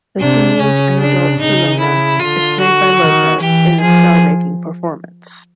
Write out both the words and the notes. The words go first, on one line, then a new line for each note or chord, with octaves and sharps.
The teenage and adult Selena is played by Lopez in a star-making performance.
C3 D4
C#3 C#4
D4
C#3 D#4
E4
D3 F4
F#4
D#3
E3 G4
F3 G#4